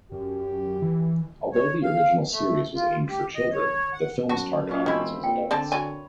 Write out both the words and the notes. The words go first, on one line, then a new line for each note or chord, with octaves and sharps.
Although the original series was aimed for children, the film's target audience was adults.
F#2 G4
E3
C#5
F5
A3
F4
G4
D#5
C#5
F#5
F#2 F#4 A5
A#2 F#3 C#4
E1 C4 D#4 E4 B5
A#2 G5
D3 C4 D5 A5
F#4 C#5 D5 G#5